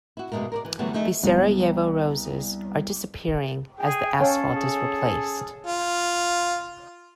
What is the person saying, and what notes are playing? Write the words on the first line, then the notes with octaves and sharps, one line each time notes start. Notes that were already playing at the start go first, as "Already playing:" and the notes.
The Sarajevo roses are disappearing as the asphalt is replaced.
E4 F#4
G2 B2 G#3 A3 A#4
A#4 C5 D5
E3
D3 E3 F#3 G3 A3 B3
F3 A3 D#4 G#4
C2 B3
G#4 G5
C#4 A4 C#5 F5
G#4
F4